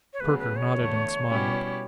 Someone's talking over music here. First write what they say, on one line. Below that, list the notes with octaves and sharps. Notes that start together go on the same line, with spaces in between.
Perker nodded and smiled.
C#5
D2 C#3 F#3 B3 B4
B4
C#5
E2 D3 A3 E4
B2 G3 C#4 E4 G4